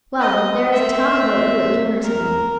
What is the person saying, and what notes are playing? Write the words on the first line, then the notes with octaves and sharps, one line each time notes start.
'Well! there is a talk about you at Gimmerton.
D#5
C4 E5
A#4